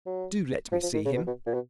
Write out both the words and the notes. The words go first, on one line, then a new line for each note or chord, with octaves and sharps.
Do let me see him.
F#3
F3
F3
D#3
C#3
B2
B2
A#2
B2